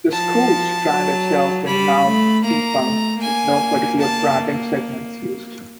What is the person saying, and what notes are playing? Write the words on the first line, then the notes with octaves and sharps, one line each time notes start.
The schools strand itself is now defunct, with no particular branding segment used.
F3 A5
F#3
G3 B5
A3
A#3 A#5
A3
A#3 G#5
A5